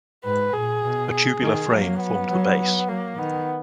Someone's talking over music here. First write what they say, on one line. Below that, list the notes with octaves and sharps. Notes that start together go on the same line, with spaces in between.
A tubular frame formed the base.
G#2 B4
A#2 G#4
B2
G#4
D#3
F#3 A#3
B3
F#3
F#3 A#3
D#3 B3